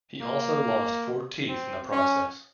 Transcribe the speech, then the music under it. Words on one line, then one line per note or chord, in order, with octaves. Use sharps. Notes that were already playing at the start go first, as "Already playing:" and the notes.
He also lost four teeth in the process.
A#3
C4
C#4